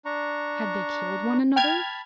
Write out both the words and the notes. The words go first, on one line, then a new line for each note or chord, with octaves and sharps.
Had they killed one another?
D4 A#5 C#6
G5 A5 B5 F6 G#6